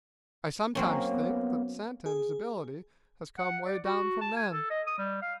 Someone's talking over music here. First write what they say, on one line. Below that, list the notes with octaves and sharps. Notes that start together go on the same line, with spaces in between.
I sometimes think that Santin's ability has come 'way down from then.
F#3 A#3 C4 C#4
B3
G#4
F#5
D5
F#4
A5
G#5
A4
D#5
D#6
G3
F5